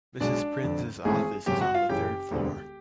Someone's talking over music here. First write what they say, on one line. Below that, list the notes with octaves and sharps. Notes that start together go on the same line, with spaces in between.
Mrs Prinz's office is on the third floor.
B1 B2 G#3 D4 D5
F1 F2 D3
G#1 G#2 E3 A3 C#4 G#4 G#5
G#1 F#2 C#3 G4 G5
F#4 F#5
F4 F5
F#1 F#2 C#3 E3 G4 G5
E1 D2 D3 G3 C4